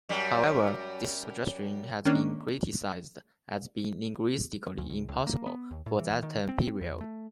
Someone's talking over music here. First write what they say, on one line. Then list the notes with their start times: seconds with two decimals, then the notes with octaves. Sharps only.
However, this suggestion has been criticized as being "linguistically impossible" for that time period.
0.09 F#2 G3
2.05 D#3 A#3 C#4 D4
4.78 D2
4.90 C#2
5.09 C#2
5.27 A#3
5.46 B3
5.71 D#2
5.86 A2
5.99 E3
6.23 D#3
6.49 C4
6.81 E2
7.01 A3